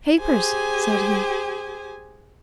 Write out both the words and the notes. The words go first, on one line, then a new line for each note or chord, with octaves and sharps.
"Papers!" said he.
G4 G#4 C5 G#5